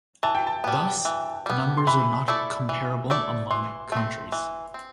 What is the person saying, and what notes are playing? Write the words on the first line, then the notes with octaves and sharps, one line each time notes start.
Thus, the numbers are not comparable among countries.
E3 A5
G5
A5
G3 B3
E3
G3 B3
C6
E3 B5
A3 E4 A4 D5
E3
A3 E4 A4 D5
E3 C6
A3 C4
E3
C4